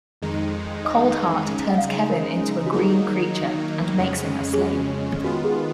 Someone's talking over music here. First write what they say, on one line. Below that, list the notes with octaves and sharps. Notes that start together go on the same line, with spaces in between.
Coldheart turns Kevin into a green creature and makes him a slave.
F2 D#3 G#3 D#4
D#5
C#3 G#3 D#4
F#5
F5
A#4
F#4
D#3 F#3 A#3 D#4 G#4
F2 C#3 G#3 C#4
G#4
F#4
D#3 G#3 B3 F4 F#4
G#4